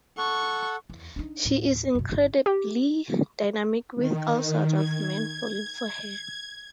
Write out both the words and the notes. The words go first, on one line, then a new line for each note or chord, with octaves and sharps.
She is incredibly dynamic, with all sorts of men falling for her.
A4 F#5 C#6
E2
D4 D#4
D#2 A2
F#2 B2
G1 E4
G4
D#3
G#6